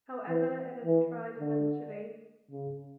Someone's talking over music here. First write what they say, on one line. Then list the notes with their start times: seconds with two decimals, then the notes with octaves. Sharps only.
However, it is tried eventually.
0.28 E3
0.84 E3
1.39 D3
2.51 C#3